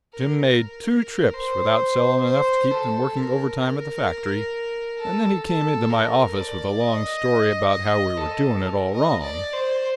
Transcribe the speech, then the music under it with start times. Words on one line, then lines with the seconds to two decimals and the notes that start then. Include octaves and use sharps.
Jim made two trips without selling enough to keep them working overtime at the factory, and then he came into my office with a long story about how we were doing it all wrong.
0.13 A#4
0.43 A#4
1.34 C5
2.26 C5
2.71 A4
3.16 A#4
3.62 A#4
4.98 A4
5.43 A4
5.89 A#4
6.35 D5
6.80 D#5
7.71 D#5
8.17 A4
8.62 A#4
8.93 D#5
9.23 D5
9.53 C5